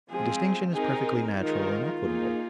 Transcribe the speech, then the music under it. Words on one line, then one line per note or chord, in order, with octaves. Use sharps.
The distinction is perfectly natural and equitable.
F3 G#3 C4 G#4
C4 D#4 G#4 A#4
D#3 G#3 D#4 F4 A#4
A#3 D#4 G#4